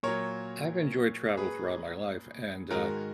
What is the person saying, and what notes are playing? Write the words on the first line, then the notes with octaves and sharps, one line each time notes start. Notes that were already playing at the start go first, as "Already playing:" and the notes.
I've enjoyed travel throughout my life, and, uh,
A#2 F#3 A#4 C#5
G#4 B4
G#2 D#3 G#3 F#4 A#4